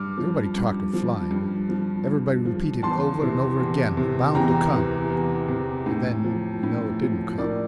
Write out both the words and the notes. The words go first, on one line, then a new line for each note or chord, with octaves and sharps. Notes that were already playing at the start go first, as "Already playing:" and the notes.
Everybody talked of flying, everybody repeated over and over again, "Bound to come," and then you know it didn't come.
Already playing: G2 D6 F6
F3
G2
F3
G2
F3
G2
F3
E2 A5 C6
C3 E3
E2
C3 E3
E2 G5 A#5
C3 E3
E2
C3 E3
A2
F3
A2
F3
A2 A#4 D5